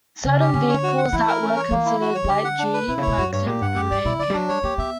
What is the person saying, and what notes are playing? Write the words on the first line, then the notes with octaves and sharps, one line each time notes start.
Certain vehicles that were considered light-duty were exempt from AirCare.
C#3 C#4
G4
D3 C#4
C#5
F#4
F#5
E3 E4
A#4
C#4
C#5
E3 A#3
E4
F#4
C#5
E3
D3 G4
F#5
D4
B4
B2 E4
C#3
C#5
B2
F#2 F#4
G2 C#5
A#2 G4
G2 F#5
F#2 G4
G2 D5
B2 E4
D3 D5
G3
F#3 D4
G3 C#5
A#3 G4
B3 E5